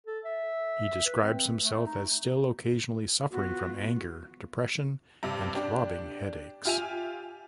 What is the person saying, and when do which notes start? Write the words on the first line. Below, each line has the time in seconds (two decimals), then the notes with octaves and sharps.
He describes himself as still occasionally suffering from anger, depression, and throbbing headaches.
0.06 A4
0.25 E5
1.06 B4
1.23 C4
1.62 A3
1.86 D#4
3.31 B3 F4 F#4
5.23 G2 C3
5.55 D4 G4
6.65 F4 G4 E5 G#5 D#7 F7